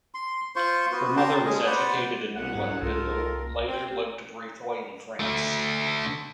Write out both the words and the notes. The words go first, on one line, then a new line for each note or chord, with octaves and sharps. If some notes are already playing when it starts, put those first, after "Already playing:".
Her mother was educated in England and later lived briefly in France.
C6
F4 C5 C6 C#6
B3 F4 F#4 B4
G5 A5 A#5 C6
G#3 C#4 G#4
B4 C5 D5 F#5
C2 F#5
G#2
C2 F4 A4 A#4
C4
D3 A3